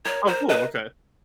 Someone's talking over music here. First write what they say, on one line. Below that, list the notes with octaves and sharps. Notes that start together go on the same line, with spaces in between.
Oh, cool, okay.
A#4 C#5
A#4 C5
B4 D#5